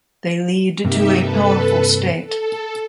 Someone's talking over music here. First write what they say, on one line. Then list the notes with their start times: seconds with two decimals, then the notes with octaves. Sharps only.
They lead to a powerful state.
0.85 G2 C3 A#3 D#4 G4 E5
1.18 A4 B4
2.26 A4